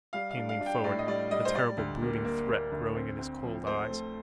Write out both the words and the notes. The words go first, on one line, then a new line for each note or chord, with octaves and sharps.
Kane leaned forward, a terrible brooding threat growing in his cold eyes.
G3 F5
F5
D4
F5
D4
G5
A2 D5
D#5
G3 D5
G3 D#5
C5
G3 D5
D2
A#3
A#3
A#3
D2
C4
C4
F3
A3 C5
A3